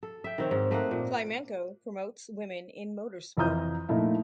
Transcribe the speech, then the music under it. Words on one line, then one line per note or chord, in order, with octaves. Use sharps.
Klimenko promotes women in motorsport.
A4
E5 G5
D#3 C4 C#5
G#2
A3 A#3 D#5 F#5
A#2
F2 E3 F4 A#5 D#6 G6
A#2 F3 A3 D#4 E4